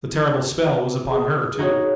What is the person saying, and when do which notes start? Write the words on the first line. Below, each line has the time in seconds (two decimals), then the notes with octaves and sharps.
The terrible spell was upon her, too.
1.11 G#4
1.59 D#4 F#4 C#5